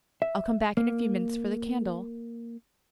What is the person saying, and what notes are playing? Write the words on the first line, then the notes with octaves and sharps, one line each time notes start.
I'll come back in a few minutes for the candle.
E5
A#3